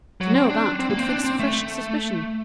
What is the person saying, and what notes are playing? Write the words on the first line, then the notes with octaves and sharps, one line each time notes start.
To know that would fix fresh suspicion.
F#3
C4
D4
C4
A#3
C4
D4
C4
A3